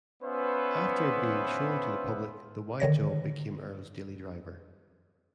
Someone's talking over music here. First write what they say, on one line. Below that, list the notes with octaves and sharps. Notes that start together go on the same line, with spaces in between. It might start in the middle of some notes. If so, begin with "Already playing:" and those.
After being shown to the public, the Y-job became Earl's daily driver.
B3 C#4 F4 B4 C5 E5
D3 D#3 C#5 A#6